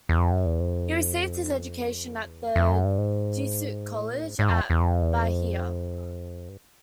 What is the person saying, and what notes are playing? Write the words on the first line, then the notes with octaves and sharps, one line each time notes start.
He received his education at the Jesuit college at Bahia.
E2
F2
F#2
E2
F2
E2
F2
F2
F#2
G2
G#2
A2
A#2
A2
G#2
G#2
F2
E2
F2
E2
F2
G2